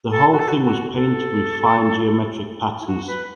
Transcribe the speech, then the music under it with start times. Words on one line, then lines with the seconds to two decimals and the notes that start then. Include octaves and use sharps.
The whole thing was painted with fine geometric patterns.
0.10 A4
0.32 F#4
0.39 A4
0.48 F#4
0.64 F#4
0.95 A4
2.80 E4
2.86 F#4
3.07 B4